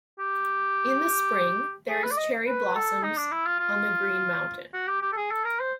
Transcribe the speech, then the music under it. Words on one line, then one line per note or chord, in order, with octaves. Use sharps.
In the spring, there is cherry blossoms on the green mountain.
G4
G#4
B4
D5
D#5
B4
A4
D#4
D4
E4
F4
F4
F#4
G4
G4
A4
G#4
A4
A#4
C5